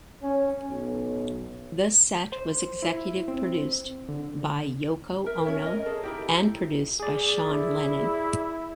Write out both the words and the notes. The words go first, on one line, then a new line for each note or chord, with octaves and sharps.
The set was executive produced by Yoko Ono and produced by Sean Lennon.
C#4
B1
C5
E4
C4
D3
A#4 E5
C#4 C#5 E5
A#4 D#5
G#4 A4
D#4 E4 G4
G#4 D5
E4